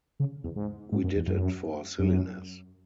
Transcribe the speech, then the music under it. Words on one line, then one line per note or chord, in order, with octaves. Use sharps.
We did it for silliness.
C#3
E2
G#2
G#2
F#2
E2
F#2
F#2